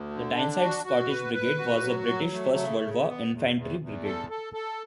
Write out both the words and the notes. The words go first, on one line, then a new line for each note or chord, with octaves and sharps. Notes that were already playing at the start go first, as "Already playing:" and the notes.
The Tyneside Scottish Brigade was a British First World War infantry brigade.
Already playing: D2
D3
D4
F#4
F#4
B4
B4
F#4
F#3
F#3
A3
C#3
C#3
B3
E2
E2
E2
A4
A4
A4